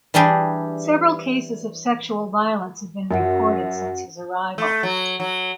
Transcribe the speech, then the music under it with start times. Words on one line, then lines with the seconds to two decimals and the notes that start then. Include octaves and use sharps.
Several cases of sexual violence have been reported since his arrival.
0.14 E3 G3 D4 G4 G#4
3.11 F#2 C#4 F#4 F#5
4.58 A3
4.83 F#3
5.20 F#3